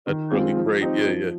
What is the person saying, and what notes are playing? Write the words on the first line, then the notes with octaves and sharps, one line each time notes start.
that's really great, yeah, yeah.
D#3
G#3 C4 F4 G#4
F3
C4 D#4 G4
F3